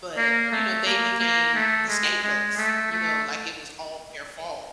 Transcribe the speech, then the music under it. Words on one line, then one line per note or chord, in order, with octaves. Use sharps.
But, you know, they became the scapegoats, you know, like, it was all their fault.
A#3
A3
A#3
A#3
A3
G#3
G#3
A3
A3